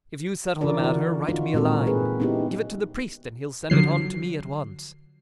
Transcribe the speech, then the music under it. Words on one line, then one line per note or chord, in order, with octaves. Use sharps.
If you settle the matter, write me a line; give it to the priest and he'll send it on to me at once.
D3 E3 D4 F4 A#4 D5
E4 F#4
D#4 F4 F#4
A#2 G#3 C4 F#4 A4 A#4
G#4 B4
B3 C#4 D#4 E4 G4
D3 F3 F#3 C7